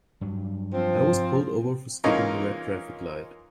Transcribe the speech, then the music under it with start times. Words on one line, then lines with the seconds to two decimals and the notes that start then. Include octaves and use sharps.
I was pulled over for skipping the red traffic light.
0.21 G2 F#3
0.74 F3 C4
2.04 E3 G#3 A#3 C#4 D#4 F4